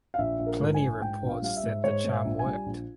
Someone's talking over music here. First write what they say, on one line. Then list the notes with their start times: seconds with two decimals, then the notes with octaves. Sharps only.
Pliny reports that the charm worked.
0.14 F5
0.18 A#1 E5
0.39 A#1
0.46 A#4
0.60 G#2
0.74 G#5
0.80 A#1
1.02 G#2 G5
1.22 A#1
1.29 F5
1.42 G3 F5
1.57 E5
1.64 G#2
1.84 G#2 C#5
2.05 G#2
2.12 E5
2.25 A#1
2.39 G#5
2.46 G3
2.66 A#1